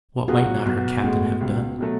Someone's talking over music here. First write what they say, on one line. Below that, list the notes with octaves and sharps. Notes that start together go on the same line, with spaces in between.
What might not her Captain have done?
F#3 B3 F4 F#4 G#4
B1 B3
A2 G#3
C#2
B2 F#3 A3